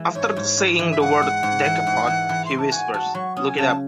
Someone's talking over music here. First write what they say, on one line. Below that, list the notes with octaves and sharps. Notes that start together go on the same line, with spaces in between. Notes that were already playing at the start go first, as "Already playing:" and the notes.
After saying the word Decapod, he whispers "look it up".
Already playing: E3 G#3
G#2 C#5
G#2
G#2
E3
E5
G#2 F#5
G#3
G#2
E3
G#2
E3
E3
C6
G#2
A5
F#4 G#5
F#4 A5
F#3 C#6
C#4 D#6
G#5
C#3 A5